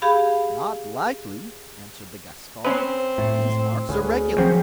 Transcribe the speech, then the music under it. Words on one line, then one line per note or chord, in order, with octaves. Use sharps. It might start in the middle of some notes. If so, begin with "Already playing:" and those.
"Not likely," answered the Gascon; "these marks are regular."
G4 G#4 F5 B5
C4 C#4 B4
A2
D2 C#4 G#4 B4
D#3 F3 F#3 C4 C#4 G4